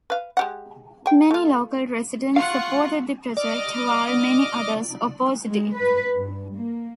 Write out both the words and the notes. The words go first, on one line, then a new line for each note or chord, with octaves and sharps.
Many local residents supported the project, while many others opposed it.
B4 F5
G#3 G4 F#5
G#4 G5
A3 F4
F4 F5 F#5 C#6
D5 D#5 D6 F6
G#3
B4
G2
A#3